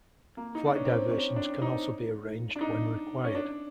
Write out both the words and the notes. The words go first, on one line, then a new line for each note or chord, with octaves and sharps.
Flight diversions can also be arranged when required.
A#3
D#4
D4
C#4
C4
C#4
D4
D#4
D4
D#4
C#4
D4